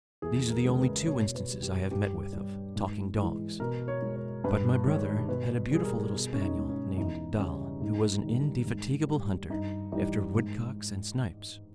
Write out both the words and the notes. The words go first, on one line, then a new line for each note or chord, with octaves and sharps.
These are the only two instances I have met with of talking dogs, but my brother had a beautiful little spaniel, named Doll, who was an indefatigable hunter after woodcocks and snipes.
E2 G#4
A#4
C#3 G#3
B4
B4
B2 C#5
B4
G3
G4
G2 G4
G3
G#2
E3 G#3
B2 A#4
C#5
G#3
C#5
G2 B4
D#3 G#3 C#5
B2 B4
G3 G#4
A#4
B2 G#4
C#4
D#4
G#3
C#4
E2 D#4
C#3 G3 C#4
G#2 D#4
D#3 G3
G#2
G3
G2 D#4
E3 G3 D#4
G#2